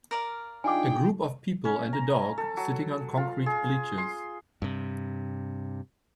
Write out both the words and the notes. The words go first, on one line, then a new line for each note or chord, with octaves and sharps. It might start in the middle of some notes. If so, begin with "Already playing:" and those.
A group of people and a dog sitting on concrete bleachers.
A#4 D5 F5
D4 D#4 F4 G#4 G5 G#5 D6
C#4
A#5
A4
F#3
F4
G#4
C6
G2 C3